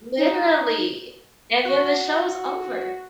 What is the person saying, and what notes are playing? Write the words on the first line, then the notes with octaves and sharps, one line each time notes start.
Literally, and then the show's over.
D#4
F#4